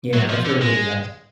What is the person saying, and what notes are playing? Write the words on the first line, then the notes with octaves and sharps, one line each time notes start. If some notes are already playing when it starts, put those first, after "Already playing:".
Yeah, that's really good advice.
F#3
F3
D3
G#3